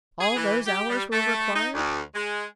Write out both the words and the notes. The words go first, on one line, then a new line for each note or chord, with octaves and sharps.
"All those hours were required?"
G#4
E3
G4
G3
A3
D#4
D2
G#3